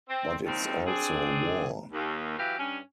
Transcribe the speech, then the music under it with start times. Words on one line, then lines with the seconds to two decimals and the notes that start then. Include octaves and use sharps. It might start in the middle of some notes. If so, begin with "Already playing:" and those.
But it's also war.
0.09 C4
0.45 D#2 C3 G3 C4 D#4
0.86 C4 D4 G#4
1.92 D#2
2.38 E3 F#3 F#4 G4 F5
2.59 G2 C#4